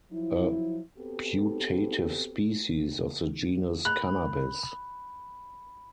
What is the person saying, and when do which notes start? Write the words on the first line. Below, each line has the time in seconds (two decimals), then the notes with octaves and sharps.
A putative species of the genus "Cannabis".
0.12 F3 F#3 E4
0.98 B3 C4 F#4 G4 A4
3.85 B5 F#6